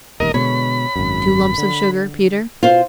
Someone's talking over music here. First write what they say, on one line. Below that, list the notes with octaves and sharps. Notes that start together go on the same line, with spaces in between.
"Two lumps of sugar, Peter?"
E1 D#2 A#4 D#5
B2 D3 G#3 C#5 B5
G#1 F#2
D3
B2 F4 C5